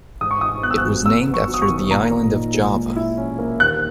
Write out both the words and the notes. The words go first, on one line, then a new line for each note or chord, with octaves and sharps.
It was named after the island of Java.
G#2 D#6
C#6
D#4 D#6
B3 F#6
E6
F#6
F#3
E2 E6
B3
C#6
F#3
D#6
C#6
D#3
A#2 A#5
A#2
D#4
G#3
A#2
E4
C#4
A#3
D#2 F#6